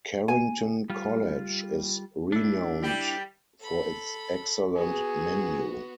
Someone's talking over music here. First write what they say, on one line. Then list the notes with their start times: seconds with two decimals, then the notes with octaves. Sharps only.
Carrington College is renowned for its excellent menu.
0.28 G#5
0.90 G3 F4
2.32 D4 E4
2.82 G3 G4
3.61 A4 B5
4.76 B3 F#4 G#4